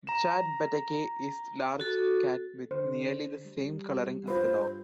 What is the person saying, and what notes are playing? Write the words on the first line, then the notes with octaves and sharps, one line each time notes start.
The "chat Bateke" is large cat with nearly the same coloring as the dog.
A#5 E7
F#4 A4
D3 C5
G3
G2 F4 B4 C5